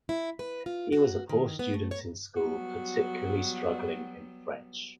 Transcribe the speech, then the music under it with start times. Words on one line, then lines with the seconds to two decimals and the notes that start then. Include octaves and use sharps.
He was a poor student in school, particularly struggling in French.
0.09 E4
0.39 B4
0.66 F4
0.92 F#4
1.29 D#3
1.59 B3
1.74 A3
1.91 C#5
2.37 F#3 G3 B3 F#4